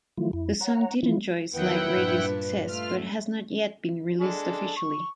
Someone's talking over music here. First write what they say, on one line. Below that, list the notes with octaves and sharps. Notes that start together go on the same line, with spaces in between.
The song did enjoy slight radio success, but has not yet been released officially.
D#3 F3 F#3 A3 E4 F4
F2 E4
C#5 F#5 A#5
E3 F3 E4 F4
E2 D#3 F#3 E4 B4 F#5 G5
G2 A#2 D4
A3 F4 F6
G#3 D4 A4
C#6